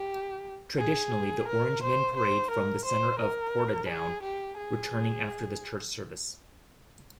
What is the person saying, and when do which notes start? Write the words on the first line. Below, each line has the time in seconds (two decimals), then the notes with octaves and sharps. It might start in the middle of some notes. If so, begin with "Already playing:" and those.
Traditionally the Orangemen parade from the centre of Portadown, returning after the church service.
Already playing: G4
0.79 G#4
1.48 A#4
1.83 C5
2.17 C5
2.51 A#4
2.85 C5
3.19 A#4
3.89 G#4
4.23 G4
4.58 G#4